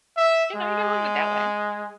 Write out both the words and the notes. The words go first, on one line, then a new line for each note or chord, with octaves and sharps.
You know, you gotta look at it that way.
E5
G#3